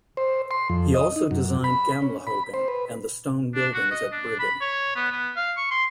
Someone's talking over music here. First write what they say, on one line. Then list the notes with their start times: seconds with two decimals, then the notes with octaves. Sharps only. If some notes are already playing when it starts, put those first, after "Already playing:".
He also designed Gamlehaugen, and the stone buildings at Bryggen.
0.17 C5
0.51 C6
0.69 F2
0.94 D#5
1.16 D#4
1.31 F#2
1.64 B5
2.02 C#4
2.27 B5
2.54 C5
2.68 B4
3.55 D4
3.74 F#4
3.91 D#5
4.12 D4
4.39 B5
4.61 C#5
4.96 B3
5.12 B3
5.36 F5
5.57 C#6
5.71 C6